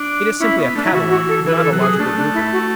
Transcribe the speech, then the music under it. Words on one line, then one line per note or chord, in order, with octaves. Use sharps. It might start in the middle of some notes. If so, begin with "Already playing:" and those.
It is simply a catalogue, not a logical grouping.
Already playing: D4
C#4 E4
B3
A3 D4
E4
E3 F#4
F#4
A4
E3 B4
B4
A4
F#3
G#4
A3 D4
D4
E4
F#4